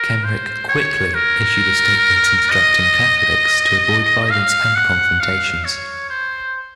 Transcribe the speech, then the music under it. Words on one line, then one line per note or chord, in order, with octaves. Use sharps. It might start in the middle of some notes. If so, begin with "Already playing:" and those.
Kenrick quickly issued a statement instructing Catholics to avoid violence and confrontations.
Already playing: A#4
C5
C#5
A#4
D#5
F5
F#5
F5
C#5
C5